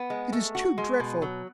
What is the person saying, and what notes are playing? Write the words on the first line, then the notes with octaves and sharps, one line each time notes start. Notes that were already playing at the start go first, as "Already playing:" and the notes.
It is too dreadful!
Already playing: B3
G#3
A3
F#4
G#3
B2
F#3